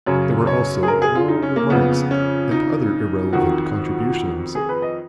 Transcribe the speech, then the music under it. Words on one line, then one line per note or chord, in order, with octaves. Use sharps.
There were also moral remarks and other irrelevant contributions.
F#2 C#3 C#5
C#5
G#4
A#4
G#4
F4
D#4
C#4
A#3
F2 C#3 B3
C#4
D#4
F2 D#3 F#4
G#4
B4
D#5